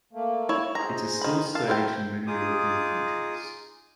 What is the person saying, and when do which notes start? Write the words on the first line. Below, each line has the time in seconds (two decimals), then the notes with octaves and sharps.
It is still staged in many European countries.
0.13 A3 A#3
0.49 E4 C#5
0.75 D#4 G#4 C5 A#5
1.21 D#3 B5
1.55 A#4 F5 A5
1.68 E4 C5 G5
2.27 D#4 F4 G#4 D6 D#6